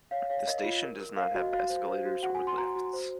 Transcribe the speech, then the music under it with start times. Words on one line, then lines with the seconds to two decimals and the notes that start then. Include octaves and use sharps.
The station does not have escalators or lifts.
0.11 C#5 F5
0.30 C#5 F5
0.47 A#4 D#5
0.64 F4
0.83 A#4
1.00 A#4
1.17 A#4 F5
1.34 F#4 D#5
1.53 F#4 F5
1.70 C5
1.87 C5
2.05 F#4
2.23 F#4 F#5
2.35 G#5
2.41 F#4
2.47 C6
2.58 F#4 A#5
2.76 F#4
2.93 C5